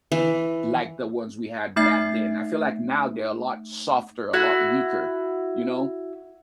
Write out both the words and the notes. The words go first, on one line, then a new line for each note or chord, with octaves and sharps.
like the ones we had back then, I feel like now they're a lot softer, a lot weaker, you know?
E3
A3 D#4 E5 G#6 C7
E4 F#4